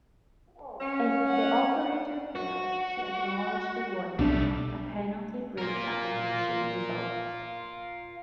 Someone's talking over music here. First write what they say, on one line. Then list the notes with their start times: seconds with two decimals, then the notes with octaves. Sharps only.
If the operator fails to acknowledge the warning, a penalty brake application results.
0.78 C#4
1.28 F#5
2.35 F#4
4.19 B1 G3 A3 D4
5.58 F4 A#4